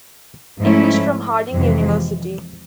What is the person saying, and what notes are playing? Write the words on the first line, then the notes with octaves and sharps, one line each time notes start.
English from Harding University.
G#2 F3 A3 C#4 E4
F2 C3 E3 G#3